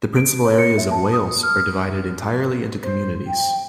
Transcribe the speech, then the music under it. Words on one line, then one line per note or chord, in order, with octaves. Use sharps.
The principal areas of Wales are divided entirely into communities.
D7
C#5
C#7
E5
A5
D#6
F6
C5
G5